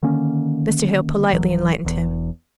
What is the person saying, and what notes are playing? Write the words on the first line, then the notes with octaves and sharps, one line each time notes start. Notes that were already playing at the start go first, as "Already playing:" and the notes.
Mr. Hale politely enlightened him.
D3 D#3 A#3 C#4
D1 E3 F#3
E1 E2